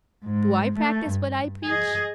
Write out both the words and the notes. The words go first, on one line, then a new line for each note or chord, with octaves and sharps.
Do I practise what I preach?
G#2
A3
G2
G#4 D#5